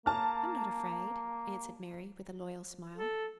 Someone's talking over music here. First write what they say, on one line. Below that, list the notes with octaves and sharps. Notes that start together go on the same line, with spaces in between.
'I'm not afraid,' answered Mary, with a loyal smile.
A#3 A5 F6
A4